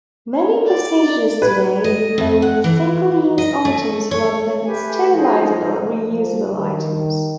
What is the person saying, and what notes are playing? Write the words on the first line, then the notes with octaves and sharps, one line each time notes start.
Many procedures today employ single-use items rather than sterilizable, reusable items.
C#5
D5
B4 G#6
D#5
F2
F#5
E3
D#5
A3
C#5
A3 G4 B4 G#5
F3 D#4 G#4 C5
F3
D#3